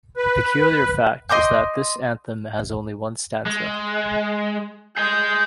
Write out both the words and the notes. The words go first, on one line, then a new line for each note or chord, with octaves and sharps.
A peculiar fact is that this anthem has only one stanza.
B4
D#5 C6 D6 G6
G#3
G#4 D#5 G6